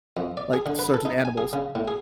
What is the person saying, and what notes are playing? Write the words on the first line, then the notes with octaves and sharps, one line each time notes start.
like, certain animals.
F2
D5
G#4
D3
B4
A4
D#4
G#5
G#4
C#3
A2
G#4